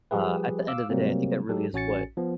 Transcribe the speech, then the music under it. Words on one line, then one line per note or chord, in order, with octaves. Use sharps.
uh, at the end of the day, I think that really is what
F3 G3 G4 G#4 B4
F5 D6 E6
C3 F#3 G3 A3 A#3 C4
F#3 D#4 G4 A4
A1 C#4 F#4 G#5 A6 C#7
F3 B3